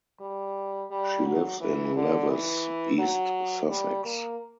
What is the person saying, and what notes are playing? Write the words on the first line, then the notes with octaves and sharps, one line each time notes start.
She lives in Lewes, East Sussex.
G3
G3
F#3
E3
D3
E3
F#3
G3
A#3